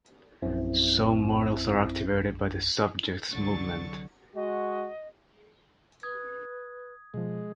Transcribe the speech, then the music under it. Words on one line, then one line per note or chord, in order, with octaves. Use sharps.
Some models are activated by the subject's movement.
A#1 F#2 C4 E4
C2 D3 F#3 C#6 A6
G#3 F#4 D#5
B4 D#6 G#6
B2 F3 G#3